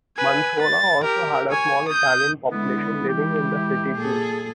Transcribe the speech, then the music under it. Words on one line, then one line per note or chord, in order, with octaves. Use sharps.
Mansoura also had a small Italian population living in the city too.
B4 G#5
A6
G4 A#4
C#5 G#5
D#6 G6
D3 G#3 B3 E4
E3 G#3 E4 G4
A#2 G#4 A4